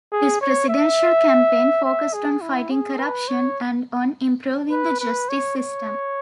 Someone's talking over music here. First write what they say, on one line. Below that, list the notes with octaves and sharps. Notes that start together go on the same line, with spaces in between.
His presidential campaign focused on fighting corruption and on improving the justice system.
G#4
C#5
E5
E5
G#4
E4
G#4
B4
C#5
B4
B4
C#5
C#5